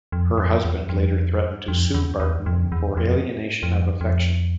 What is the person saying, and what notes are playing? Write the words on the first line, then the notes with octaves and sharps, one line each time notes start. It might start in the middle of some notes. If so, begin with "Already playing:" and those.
Her husband later threatened to sue Barton for alienation of affection.
F2
F2
E2
F2
F2
E2
E2
F2
E2
F2
F2
F2